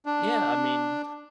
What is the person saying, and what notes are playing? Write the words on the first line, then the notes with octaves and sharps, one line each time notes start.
Yeah, I mean,
D4